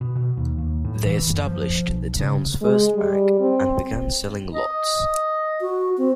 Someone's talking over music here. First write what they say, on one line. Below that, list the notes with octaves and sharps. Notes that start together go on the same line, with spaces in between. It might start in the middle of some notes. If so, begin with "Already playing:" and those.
They established the town's first bank and began selling lots.
B2
B2
D#2
D#2
A2
E3
F#1
F3
B1
C#3
G#3
G3
C4
D#5
F#4
C4